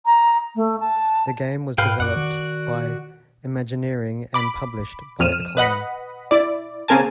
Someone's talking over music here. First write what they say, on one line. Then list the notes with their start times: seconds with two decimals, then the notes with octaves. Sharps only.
The game was developed by Imagineering and published by Acclaim.
0.06 A#5
0.56 A3
0.80 A5
1.78 G#2 B4 F5 G5
2.00 F#2 F#4 D5 F#5
2.16 D#3
4.34 B5 D6
5.20 F2 F6 D#7 E7
5.57 B4 D#5 F#5 B5
6.31 E4 D5
6.88 C#3 A#3 C4 A#4 G#5 A5